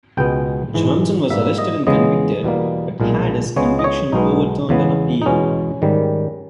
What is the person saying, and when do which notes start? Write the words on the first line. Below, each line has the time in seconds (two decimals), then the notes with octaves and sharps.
Johnson was arrested and convicted, but had his conviction overturned on appeal.
0.17 C#2 B2 G#3 B3 G5
0.74 G#2 E3 G#3
1.30 G#2 G3 A#3 E5
1.58 D#5
1.87 E2 C#3 G#3 B3 D#5
2.43 E2 B2 G3 A#3
3.00 B1 A#2 G#3
3.56 C#2 C#3 G#3 B3 C#5
3.79 D#5
3.84 C#5
4.12 B1 B2 G#3 B3 D#4
4.69 E2 C#3 G#3 B3
5.22 D#4
5.25 E2 B2 G#3 B3 C#4
5.82 G#2 D#3 G3